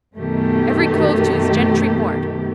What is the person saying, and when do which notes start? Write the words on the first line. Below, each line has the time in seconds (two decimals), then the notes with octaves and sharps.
Every cove to his gentry mort.
0.17 F#2 B2 D#3 A3 B3 G4